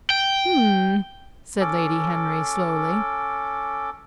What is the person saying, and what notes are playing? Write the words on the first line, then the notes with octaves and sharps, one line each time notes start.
"Hm," said Lady Henry, slowly.
G5
C#4 A4 D6